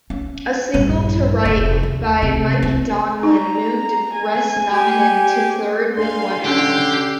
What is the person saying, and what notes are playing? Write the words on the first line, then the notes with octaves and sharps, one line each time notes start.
A single to right by Mike Donlin moved Bresnahan to third with one out.
C#4
A#1 G2
F1
D#2
C3
C4
D#4 A#5
G#5
G4
D4 F5 G#5 C6
D3 C#4 D4 G4 G6 C7